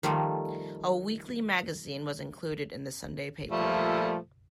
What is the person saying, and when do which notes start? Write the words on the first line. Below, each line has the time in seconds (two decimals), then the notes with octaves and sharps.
A weekly magazine was included in the Sunday paper.
0.03 D#3 F3 G3 A3 A4
3.50 A#2 F3 G3 A3